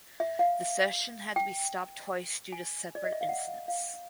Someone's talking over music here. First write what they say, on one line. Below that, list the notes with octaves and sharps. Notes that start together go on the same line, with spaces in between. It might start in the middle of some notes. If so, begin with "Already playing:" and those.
The session had to be stopped twice due to separate incidents.
E5
F5
G5
G#5
D5
D#5
E5
F5
F#5
F5
F5